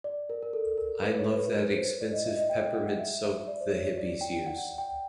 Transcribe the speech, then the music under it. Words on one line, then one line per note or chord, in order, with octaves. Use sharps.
I love that expensive peppermint soap the hippies use.
D5
A#4
A#4
A4
A#4
B4
C#5
B4
A#4
B4
C5
D5
D#5
E5
D#5
G5
F#5
E5
E5
D5
C5
C#5
C#5
D5
G5
F#5
G5